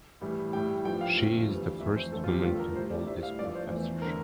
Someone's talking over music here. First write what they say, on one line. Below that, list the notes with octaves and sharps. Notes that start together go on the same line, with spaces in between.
She is the first woman to hold this professorship.
A2 E3 G3
A2 G3 G5
G2 F3 A3 G5
F5
F2 D3 F3 A3
G2 E3 G3
F2 E3 A3 E5
C5
E2 D3 A3 A4
F4
G4
G2 D3 F3 A3 F4
A4
A#4
A2 G3 C5
D5
A2 G3 E5
F5
G2 F3 A3 D5
C5
E2 E3 A3
D3 A3 A#4